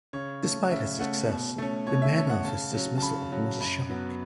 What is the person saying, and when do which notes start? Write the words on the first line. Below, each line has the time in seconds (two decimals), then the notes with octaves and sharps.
Despite his success, the manner of his dismissal was a shock.
0.13 C#3 C#5
0.42 A3 C#4
0.71 C#3 E5
0.99 A3 C#4 F#5
1.29 B2
1.58 A3 C#4
1.87 B2 C#5
2.02 E5
2.15 A3 C#4 E5
2.30 F#5
2.45 C#3 A5
2.73 F#3 C#4
2.98 A5
3.02 C#3 B5
3.32 F#3 C#4
3.60 F#2 B5
3.90 F#3 B3